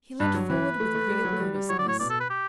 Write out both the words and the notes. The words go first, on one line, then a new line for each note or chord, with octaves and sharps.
He leant forward, with real earnestness.
G2 B4
F#3
E3 B4
A3
A3
G3
F#3
A3
G3
G3
F#3 C#5
D5
A2 C#5
B2 D5
A4
B4
G4